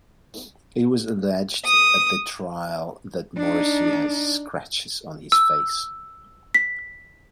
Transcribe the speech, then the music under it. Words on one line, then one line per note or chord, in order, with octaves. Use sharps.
It was alleged at the trial that Morrissey had scratches on his face.
D#6
D4 D#4
E6
B6